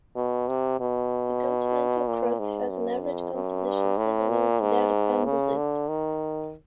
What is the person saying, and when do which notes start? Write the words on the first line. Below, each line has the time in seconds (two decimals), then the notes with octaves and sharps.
The continental crust has an average composition similar to that of andesite.
0.16 B2
0.48 C3
0.80 B2
2.07 A#2
2.39 G#2
2.71 F#2
3.02 F2
3.34 F#2
3.66 G2
3.97 A2
4.29 A#2
4.61 G#2
5.25 C#3
5.57 D3
5.88 D#3